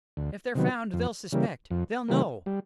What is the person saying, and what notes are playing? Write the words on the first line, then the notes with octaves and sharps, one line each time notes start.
"If they're found, they'll suspect--they'll know ..."
D2
C3 D#3 F#3 B3
F2
C#3 E3 G3 A#3
F2
C#3 E3 G3 A#3
G3